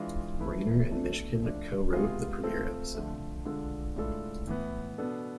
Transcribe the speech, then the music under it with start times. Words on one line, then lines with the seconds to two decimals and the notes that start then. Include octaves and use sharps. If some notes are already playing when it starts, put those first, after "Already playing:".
Reiner and Mishkin co-wrote the premiere episode.
Already playing: E3 G#3 D4 F4
0.39 E3 A3 E4 B4
0.90 B2 A3 D4 A4
1.42 F3 A3 D4
1.93 C3 G#3 B3 F4 G#4
2.43 A3 C4 F4 A4
2.94 D3 F3 A3
3.45 D3 G#3 D4 F4 A4
3.96 A2 G#3 D4 F4 A4
4.47 A2 E3 B3
4.98 B2 B3 D4 A4